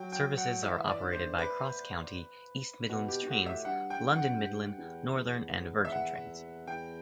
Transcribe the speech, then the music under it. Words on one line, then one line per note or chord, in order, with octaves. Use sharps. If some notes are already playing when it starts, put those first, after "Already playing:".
Services are operated by CrossCountry, East Midlands Trains, London Midland, Northern and Virgin Trains.
Already playing: F#3 G5
G5
F#5
E3 E5
D5
D3
C5
B4
B2 F#4
G4
G2
A2 F#4
E5
G2 F#5
G5
G2
F#2
F#5
G2
E2
E2
E5
F#5
E2 G5